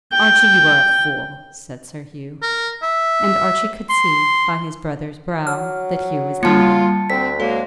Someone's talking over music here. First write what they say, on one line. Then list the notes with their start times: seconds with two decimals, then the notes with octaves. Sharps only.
"Archie, you are a fool," said Sir Hugh; and Archie could see, by his brother's brow, that Hugh was angry.
0.12 G5
2.42 A#4
2.83 E5
3.90 C6
5.47 F#3 F6
6.43 G3 A#3 F4 A5 C#7
7.10 D2 C4 B6
7.40 F#3 G#3 A#3 A4